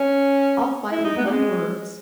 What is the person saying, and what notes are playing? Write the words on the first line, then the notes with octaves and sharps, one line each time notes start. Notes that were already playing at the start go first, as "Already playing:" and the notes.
I'll fight with my words,
Already playing: C#4
E4
D#4
B3
G3
G#3